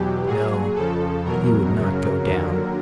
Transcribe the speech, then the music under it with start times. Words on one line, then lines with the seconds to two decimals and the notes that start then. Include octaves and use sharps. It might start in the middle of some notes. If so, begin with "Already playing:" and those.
No, he would not go down.
Already playing: E2 B2 F#3 G4
0.26 A#2 F#3 G#4
0.75 F2 C#3 F3 A4
1.24 E2 B2 F#3 A#4
1.74 F#2 C#3 F#3
2.24 D#2 D3 F#3